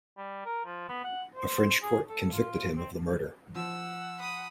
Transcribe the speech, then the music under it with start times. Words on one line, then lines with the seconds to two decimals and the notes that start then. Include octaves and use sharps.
A French court convicted him of the murder.
0.17 G3
0.45 A#4
0.65 F3
0.89 B3
1.04 F#5
1.35 C5
1.83 G#4
2.09 A4
2.32 F4
2.76 C4
3.55 F3 F#5 E6
4.19 B5 D#6